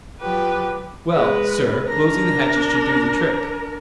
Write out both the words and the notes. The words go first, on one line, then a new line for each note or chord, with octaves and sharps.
"Well, sir, closing the hatches should do the trick."
F3 F#3 G4 B4
G#3 B4
D4 A#4